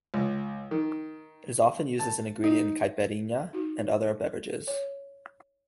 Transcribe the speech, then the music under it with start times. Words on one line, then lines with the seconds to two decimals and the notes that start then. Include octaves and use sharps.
It is often used as an ingredient in caipirinha and other beverages.
0.14 C#2
0.71 D#3
1.99 A5
2.44 D#4
3.53 D#4 F#4
4.67 C#5